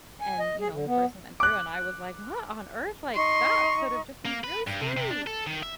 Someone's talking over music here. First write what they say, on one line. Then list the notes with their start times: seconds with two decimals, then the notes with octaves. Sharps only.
And, you know, the person went through and I was like, "What on earth? Like, that could have just been really scary."
0.21 G#5
0.39 D#5
0.60 G#4
0.72 D3
0.86 B3
1.40 D6 F#6
3.15 D#4 C6 C#6
4.25 A#3
4.44 B4
4.67 G2
4.81 C3
4.97 C3
5.11 D4
5.26 A4
5.47 D#3
5.63 E5